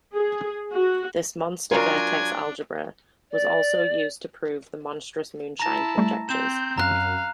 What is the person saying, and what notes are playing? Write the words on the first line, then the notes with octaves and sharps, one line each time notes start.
This monster vertex algebra was also used to prove the monstrous moonshine conjectures.
G#4
F#4
F#3 D4 F4 A#4 G#5
D5
E4 A5 A#5 A#6
G3 A3
C4 G6 E7
F#2 F5 A#5 F#6